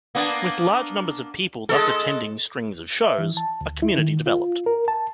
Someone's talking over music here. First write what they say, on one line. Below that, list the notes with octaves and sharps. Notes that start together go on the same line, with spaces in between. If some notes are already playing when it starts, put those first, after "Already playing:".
With large numbers of people thus attending strings of shows, a community developed.
A#3 B3 D4
G#3 A4
E5
E3
A5
D2
E4
D#3
F4
A#4
A5